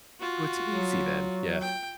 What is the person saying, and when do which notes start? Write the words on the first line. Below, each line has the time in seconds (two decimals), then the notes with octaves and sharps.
so it's easy then. Yeah.
0.20 F4 F#4
0.70 F#3
1.61 G5